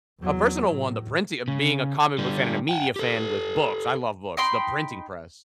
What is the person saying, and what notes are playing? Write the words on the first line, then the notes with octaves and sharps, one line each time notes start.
a personal one, the printing of being a comic book fan and a media fan with books. I love books. The printing press,
E2 F#3
A2
C#3
D3 G3
F#5 G5
G4 A4
D#4 G5 B5 C6